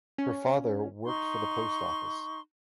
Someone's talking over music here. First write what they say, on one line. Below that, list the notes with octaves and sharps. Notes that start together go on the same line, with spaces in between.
Her father worked for the post office.
C#4
D#4 C6 C#6